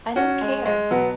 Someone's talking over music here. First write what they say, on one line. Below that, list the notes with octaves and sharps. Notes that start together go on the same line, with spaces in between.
I don't care!
C#4 F#4
G#3
G#3
B2 F#3 B3